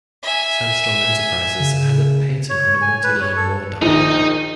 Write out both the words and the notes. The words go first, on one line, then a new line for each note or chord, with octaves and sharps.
Sandstorm Enterprises has a patent on a multi-line war dialer.
E5 G#5
C#3
C#5
G#5
B4
C#5
A4
A#1 D#3 D#4 D#5